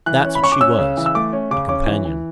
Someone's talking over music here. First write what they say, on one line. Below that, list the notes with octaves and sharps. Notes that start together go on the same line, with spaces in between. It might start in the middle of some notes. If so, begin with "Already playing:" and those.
That's what she was,--a companion.
E3 F#6
C#4
B5
C#4 C#6
D6
C#4 E6
C#3
E3
E6
A3 D6
C#4
C#3 D6
C#4 D6
E3
E3